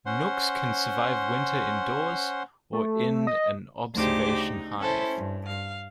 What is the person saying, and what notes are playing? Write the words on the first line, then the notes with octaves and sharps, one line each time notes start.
Nucs can also survive winter indoors, or in an observation hive.
C#4 C5 F#5 C6
A3
D#5
D2 C#3 D#4 G4 C5 D6
D#4
C#4 E4 A4 C5
G2
F5